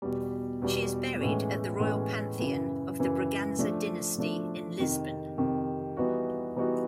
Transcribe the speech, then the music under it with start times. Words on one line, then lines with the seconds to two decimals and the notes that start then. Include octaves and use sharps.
She is buried at the Royal Pantheon of the Braganza Dynasty in Lisbon.
0.02 E2 B2 G3
0.62 E2 B2 G3
1.21 A2 E3 G#3 C#4
1.80 A2 E3 G#3 C#4
2.39 F#2 C#3 E3
2.99 F#2 C#3 E3
3.59 F3 A3 D4
4.18 F3 A3 D4
4.78 F2 C3 D#3
5.37 F2 C3 D#3
5.97 E3 G3 B3 D#4 F#4
6.56 E3 G3 B3 D#4 F#4